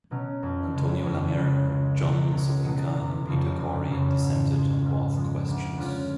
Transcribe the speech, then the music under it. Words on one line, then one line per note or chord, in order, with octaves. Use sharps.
Antonio Lamer, John Sopinka, and Peter Cory dissented on both questions.
B2 F#3 C#4
F2
C#3 G#3
F2
C#3 G#3
C#2
B2 F#3 A3
C#2
B2 F#3 A3
F1
F2 C#3 F3
F1
F2 C#3 F3
G#2
F3 G#3
G#2
F3 G#3
D2
D3 G#3 C#4 F4